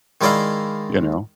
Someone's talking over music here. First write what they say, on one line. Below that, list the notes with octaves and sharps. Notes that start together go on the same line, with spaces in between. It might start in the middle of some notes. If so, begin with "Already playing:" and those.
you know?
D#3 G#3 E4 D5 D#5 F5